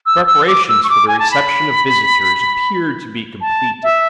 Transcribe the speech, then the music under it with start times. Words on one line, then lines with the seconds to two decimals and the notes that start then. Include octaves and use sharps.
The preparations for the reception of visitors appeared to be completed.
0.06 E6
0.27 E6
0.48 D6
0.68 E6
0.84 C#6
0.90 D6
1.08 G#5
1.19 A5
1.32 B5
3.41 A5
3.83 E5